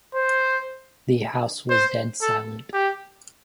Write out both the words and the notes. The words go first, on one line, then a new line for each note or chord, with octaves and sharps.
The house was dead silent.
C5
C5
A4
G4